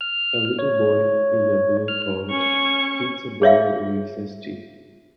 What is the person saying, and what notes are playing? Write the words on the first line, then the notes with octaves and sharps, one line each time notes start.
A little boy in a blue coat hits a ball with a stick.
F6
C#5
F6
C#4 C#6
G#4 C#5 E5 F5